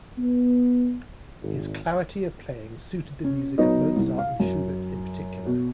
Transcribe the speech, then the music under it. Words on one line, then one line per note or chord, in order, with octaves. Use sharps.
His clarity of playing suited the music of Mozart and Schubert in particular.
B3
G#1
C#4
F#3 B3 D#4 C#5 D#5
C2
F5
F#2
B2